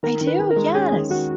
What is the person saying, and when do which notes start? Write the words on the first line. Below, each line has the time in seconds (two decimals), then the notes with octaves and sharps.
I do, yes,
0.03 D#3 A#4
0.21 D#3
0.27 B4
0.39 D#3
0.51 A#4
0.56 G#3
0.75 C#4 G#4
0.93 D#3
1.10 D#3 F#4